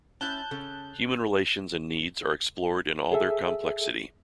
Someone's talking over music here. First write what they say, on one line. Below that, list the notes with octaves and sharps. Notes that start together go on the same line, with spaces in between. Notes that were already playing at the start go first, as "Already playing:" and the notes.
Human relations and needs are explored in all their complexity.
C#4 E4 A5 F#6 G6 G7
C#3 A4
G#4 A4 E5